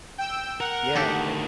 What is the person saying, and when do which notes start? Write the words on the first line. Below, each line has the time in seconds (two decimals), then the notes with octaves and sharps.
Yeah, a
0.18 G5 E6
0.60 A#4 F#5
0.95 D2 D#3 G4 A4